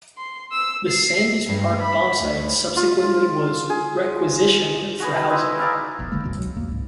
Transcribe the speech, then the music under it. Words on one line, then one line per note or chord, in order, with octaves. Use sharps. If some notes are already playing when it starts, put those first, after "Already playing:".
The Sandheys Park bombsite subsequently was requisitioned for housing.
C6
E6
C7
G2
B5
D2
F4
G#4
F#4 G#4 B4
E4 B4 C5 D#5
D#4 D5 E5 F5
F1 B1
F1 D3 G#3 A#3
D1 F2 B2 E3
C#2 B2 F#3
D1 F2 A#3
C#2 G#2